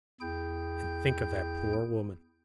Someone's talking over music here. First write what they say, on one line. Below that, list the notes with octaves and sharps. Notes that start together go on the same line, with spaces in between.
And think of that poor woman!
E2 E4 G#4 G5 G6